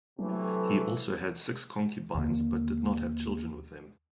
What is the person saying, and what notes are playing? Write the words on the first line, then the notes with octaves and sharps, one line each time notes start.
He also had six concubines but did not have children with them.
C3 E3 F#3 A3
D#2 D3 D#3 A#3